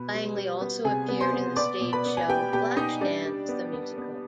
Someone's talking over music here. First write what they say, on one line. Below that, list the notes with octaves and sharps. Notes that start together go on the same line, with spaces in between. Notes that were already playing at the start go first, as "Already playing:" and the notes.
Langley also appeared in the stage show "Flashdance the Musical".
Already playing: B2 B4 B5
G3
G3
B3
C3 G#4 G#5
B3
C5 C6
B3
B3 D5 D6
B2
B4 B5
B3
G#5
B3 G4 G5
B2 G4 G5
B3 D#4 D#5
G3 D4 D5
G3
B3
B3
B3